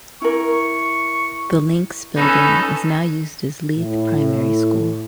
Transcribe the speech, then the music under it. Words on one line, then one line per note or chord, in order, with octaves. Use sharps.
The Links building is now used as Leith Primary School.
E4 A#4 C#6
C#4 D#4 A4 B4
A2